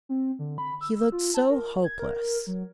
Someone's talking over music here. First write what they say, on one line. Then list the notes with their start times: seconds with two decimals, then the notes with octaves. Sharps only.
He looked so hopeless.
0.09 C4
0.39 D3
0.58 B5
0.81 E6
1.12 F4
1.34 A5
1.49 A#4
1.84 G#6
1.99 A#4
2.47 F#3